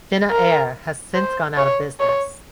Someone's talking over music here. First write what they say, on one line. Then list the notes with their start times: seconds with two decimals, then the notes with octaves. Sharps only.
Fina Air has since gone out of business.
0.30 A#4
1.15 C5
1.57 C#5
2.00 C#5